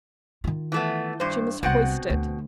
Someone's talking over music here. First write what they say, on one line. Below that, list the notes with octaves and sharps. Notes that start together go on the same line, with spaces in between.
She must hoist it.
D#3 F4
E3 A3 B3
G2 C5
C2 B2 G3 C4 F#5
D2